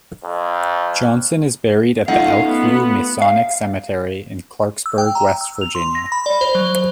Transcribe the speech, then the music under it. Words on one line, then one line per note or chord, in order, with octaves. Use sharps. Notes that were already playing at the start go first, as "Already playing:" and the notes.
Johnson is buried at the Elkview Masonic Cemetery in Clarksburg, West Virginia.
F2
A3 C#4 D#4 F4 F5 F#5
B3
F5
E6
G5
A#5
E6
F7
C6
A#6
B5
D5
C5
F#3
C5